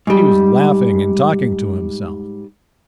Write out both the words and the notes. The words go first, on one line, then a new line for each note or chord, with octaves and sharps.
He was laughing and talking to himself.
G#2 G3